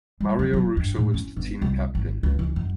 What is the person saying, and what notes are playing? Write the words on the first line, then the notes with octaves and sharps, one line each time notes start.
Mario Russo was the team captain.
G3
F#3
F4
G2
A2
C#4
G1
C2
G#1
C#2
E3
F#2